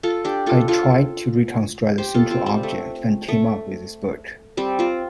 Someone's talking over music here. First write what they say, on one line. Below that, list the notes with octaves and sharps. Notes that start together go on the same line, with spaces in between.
I tried to reconstruct the central object, and came up with this book.
F4 A4
D4 G4
F4 A4
F4 A4
G4 C5
F4 A4
C4 F4
G3 C4
A3
A3
G3 C4
C4 F4